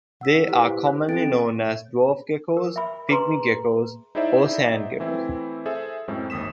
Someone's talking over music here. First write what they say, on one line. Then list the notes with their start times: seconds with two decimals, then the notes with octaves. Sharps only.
They are commonly known as dwarf geckos, pygmy geckos, or sand geckos.
0.21 F#5 E6 B6
0.48 E4 G4 B4 C5
0.87 F#6
1.09 C4 A4 G5 A6 D7
2.57 A#4
2.76 E5 B5
3.09 G#4 B4 A#5 C6
4.15 D#4 E4 G#4 C5 D5 E5
5.00 E3 A3 C4 E4
5.66 G#4 A4 C5 E5
6.08 F#2 A2 G#3 C4
6.30 G#1 D#2 D#6 B6 E7